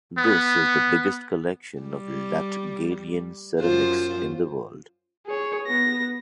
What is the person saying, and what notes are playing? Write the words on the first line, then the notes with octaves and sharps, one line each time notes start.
This is the biggest collection of Latgalian ceramics in the world.
B3
G3
F#2 F4 C5
G#4 C#5
B3 A#6